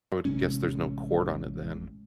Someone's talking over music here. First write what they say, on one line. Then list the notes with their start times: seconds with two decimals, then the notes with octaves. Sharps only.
I would guess there's no cord on it then,
0.25 A1 C3 G#3 C#4